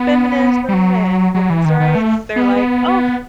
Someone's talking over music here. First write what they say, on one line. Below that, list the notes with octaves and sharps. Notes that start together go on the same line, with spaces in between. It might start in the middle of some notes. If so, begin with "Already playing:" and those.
feminism, and women's rights, they're, like, "Oh,
Already playing: B3
G3
F#3
F#3
E3
D#3
D#3
A3
B3
B3
B3